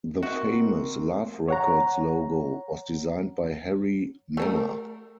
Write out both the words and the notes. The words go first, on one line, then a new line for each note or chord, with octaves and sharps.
The famous Love Records logo was designed by Harri Manner.
C4 D#4 F#4 A#4 E5
C#5 F#5 A#5
A3 A4 A#4